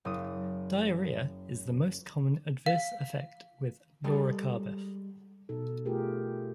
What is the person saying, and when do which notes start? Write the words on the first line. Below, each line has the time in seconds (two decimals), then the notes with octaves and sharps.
Diarrhea is the most common adverse effect with loracarbef.
0.05 F#1 D#6
2.66 F5
4.04 G3 G#3 D#4 A4 A#4
5.49 B2 D#4 A4
5.85 A3 F4 G4 G#4 A#4